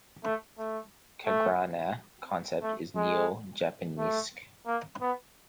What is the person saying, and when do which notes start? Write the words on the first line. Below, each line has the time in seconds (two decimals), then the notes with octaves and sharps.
Kagrra,'s concept is "Neo Japanesque".
0.24 A3
0.58 A3
1.26 A3
2.62 A3
2.96 G#3
3.98 A3
4.67 A#3
5.01 B3